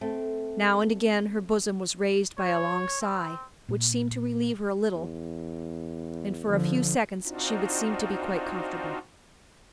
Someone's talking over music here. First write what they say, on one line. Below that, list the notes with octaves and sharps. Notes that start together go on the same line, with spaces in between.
Now and again her bosom was raised by a long sigh, which seemed to relieve her a little, and for a few seconds she would seem to be quite comfortable.
A3 C4
C#5
C4
A#2
E2
D3 F3
C4 D4 D#4 F4 F#4